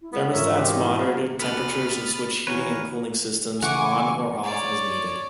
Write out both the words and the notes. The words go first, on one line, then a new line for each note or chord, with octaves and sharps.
Thermostats monitored temperatures and switched heating and cooling systems on or off as needed.
E4
C#3 G#3 B3
G#2 E3 A3 C#4 F4 A#4 C#5 E5
B2 D#3 C4 G4
E4
C#3 F#3
D2 B3 B4 B5 F6 A6
E2 D#3 A#4 B4 C#5
C#3 E3 A3 F#5 G#5 C#6 D6
C#5 D5